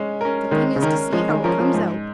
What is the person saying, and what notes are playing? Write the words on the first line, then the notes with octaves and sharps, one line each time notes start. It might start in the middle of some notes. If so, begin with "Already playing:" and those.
The thing is to see how it comes out.
Already playing: G#3 C#4
C#4 A#4
D#3 G#3
C#3
D#3 C#4 A#4
F3 G#3
D#3
F3 C#4 A#4
F3
G#2